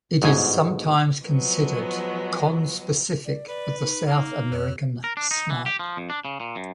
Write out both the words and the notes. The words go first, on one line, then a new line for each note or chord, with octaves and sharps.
It is sometimes considered conspecific with the South American snipe.
G1 G#2 B2 G#5
F3 F#3 G#3 B3
D5
B4 D5
D#4
A#3
F2 C#5
A#4
D4
D#4
E3
G4
F3
F2
D4
C#3
A#2
F#2